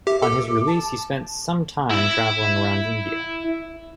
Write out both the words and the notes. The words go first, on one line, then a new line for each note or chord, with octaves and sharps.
On his release he spent sometime travelling around India.
G4 E5
A4 D6
A5
E4 E5